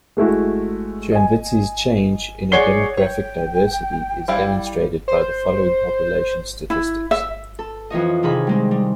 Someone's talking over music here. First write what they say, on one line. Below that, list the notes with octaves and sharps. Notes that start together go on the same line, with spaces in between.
Chernivtsi's change in demographic diversity is demonstrated by the following population statistics.
G#3 A3 E4 F#4
D#5 G#5
G#4 C#5 D5 F#5 C7 G7
C#5 G5
G3 E4 F5
C5
E4
E5
A4
F2 E3 C#5 D#5
C3 D#3 G#4 B5
G3 G#3 C4
G3